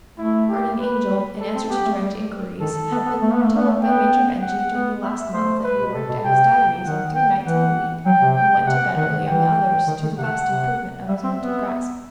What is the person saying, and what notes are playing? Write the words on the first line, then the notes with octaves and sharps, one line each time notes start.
Guardian Angel, in answer to direct inquiries, had been told by Major Benjy during the last month that he worked at his diaries on three nights in the week and went to bed early on the others, to the vast improvement of his mental grasp.
A3 E4
G4
B4
G3
A4
C4
B3 G4
A3
G3
D#3 A4
B3
B3
A3
B3
A3
B3
A3
B3 G5
F#5
B3
E5
A3 C5
B4
B2
C3 A4
B2
C3 G5
D#3 F#5
G5
E3 F#5
F#3 G5
C3
G5
C3 F#5
D#3 F#5
E3 G5
D#3
D#3
C3 F#5
C3
G3 E5
C4
B3